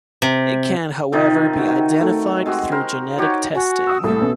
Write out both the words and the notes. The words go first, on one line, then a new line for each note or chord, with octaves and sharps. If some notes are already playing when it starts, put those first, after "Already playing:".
It can, however, be identified through genetic testing.
C3
C3 D#3 F3 D#4
C4 F#4
A3
G#3 C4 F#4 G4
A#4 C5 B5
D#4 F#4 G4 C#5
F#4 G#5
F#5 D#6 E6
C2 A2 A4
B2 B3 C#4